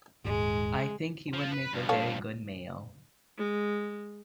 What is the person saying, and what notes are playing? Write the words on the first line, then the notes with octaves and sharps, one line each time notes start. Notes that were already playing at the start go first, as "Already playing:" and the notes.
I think he would make a very good mayo.
D#1 G#2 G#3
F3
B4
G2 F3
F4 A4 C#5
G#3